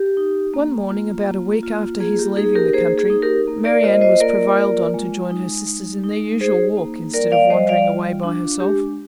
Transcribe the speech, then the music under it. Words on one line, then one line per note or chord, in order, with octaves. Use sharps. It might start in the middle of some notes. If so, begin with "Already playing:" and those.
One morning, about a week after his leaving the country, Marianne was prevailed on to join her sisters in their usual walk, instead of wandering away by herself.
Already playing: G4
D#4
A#3
F4
A#3
F4
A#3 G#4
G4
D#4 G#4
G4 A#4
A#3 G#4 C5
G#4
D#4
G4 A#4
A#3
A#4 D5
F4 C5 D#5
C5 D#5
A#3 A#4 D5
F4
G#3
D#4
G#3
D#4
D#4 G#4 C5
A#3
G3 A#4 D5
D5 F5
G3 C5 D#5
D5 F5
F4
D4
G#3 G4